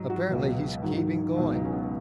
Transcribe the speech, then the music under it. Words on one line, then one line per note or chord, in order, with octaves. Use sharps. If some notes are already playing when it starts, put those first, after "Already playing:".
Apparently he's keeping going.
Already playing: G#2 F#3 D#4
F#4
C#2 B2 F#3
G#2 D#3 F#3
C#2 B2 F#3 D#4
D#4
C#4
B3